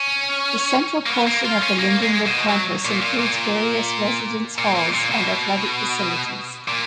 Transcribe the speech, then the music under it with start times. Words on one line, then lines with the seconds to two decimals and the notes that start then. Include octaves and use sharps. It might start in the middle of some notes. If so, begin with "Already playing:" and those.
The central portion of the Lindenwood campus includes various residence halls and athletic facilities.
Already playing: C#4
1.06 A#3
1.09 B3
1.27 A#3
1.45 F4
1.62 C#4
1.79 A#3
2.02 G#3
2.27 B2
2.49 F#3
2.85 A#2
3.01 A#2
3.19 A#2
4.58 A#2
4.76 A#2
4.94 A#2
5.11 B2
6.68 A#2